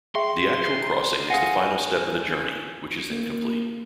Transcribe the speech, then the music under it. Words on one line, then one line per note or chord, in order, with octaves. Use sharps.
The actual crossing is the final step of the journey, which is then complete.
G#4 E5 G5 C6 C#6
G#4 F5 F#5 G#5 A#6 D#7
A#3